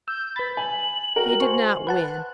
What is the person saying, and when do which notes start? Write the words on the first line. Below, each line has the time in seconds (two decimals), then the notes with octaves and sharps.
He did not win.
0.08 E6 G6
0.36 B4 B5 A6
0.57 G#5 F#7
1.16 F#4 A#4 G5
1.40 C5 G#5 C#6
1.87 B4 F#5 A5 F#6